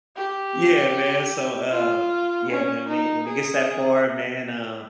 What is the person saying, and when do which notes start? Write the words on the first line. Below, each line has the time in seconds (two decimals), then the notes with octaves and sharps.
Yeah, man. So, uh, yeah, man, when it when it gets that far, man, uh,
0.16 G4
1.71 F4
2.49 C#4
2.88 D#4
3.27 G#4